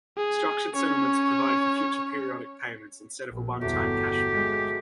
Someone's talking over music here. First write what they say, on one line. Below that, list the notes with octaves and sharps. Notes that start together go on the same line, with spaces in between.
Structured settlements provide for future periodic payments, instead of a one time cash payment.
G#4
C#4 C#5
A#1
G1 E2 F#3 A3 F#4 G4
G#3